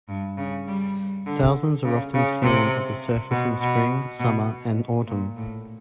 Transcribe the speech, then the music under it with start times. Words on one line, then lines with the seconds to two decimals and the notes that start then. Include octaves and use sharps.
Thousands are often seen at the surface in spring, summer, and autumn.
0.08 G2
0.37 C#3
0.68 G3
1.26 D3
1.85 C#3
2.14 C#3
2.43 C3
3.31 B2
3.61 B2
4.19 B2
5.07 A#2
5.37 A2